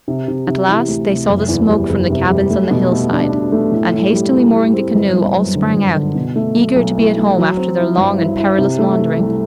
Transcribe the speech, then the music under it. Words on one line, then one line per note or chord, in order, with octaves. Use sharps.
At last they saw the smoke from the cabins on the hillside, and, hastily mooring the canoe, all sprang out, eager to be at home after their long and perilous wandering.
C3
C3
C3
E3
D2
C3
F#1
E2
G3
F#1
C3
G3
A3
B2
A3
D4
B2
A3
A2
A2
G3
A2
A2
C4
G1
G1
F#2
D3
G1
D3
B2
A3
B1
B1
E4
A3
F#3
C4
E4
G2
E4
E4
C3
A3
C3
C2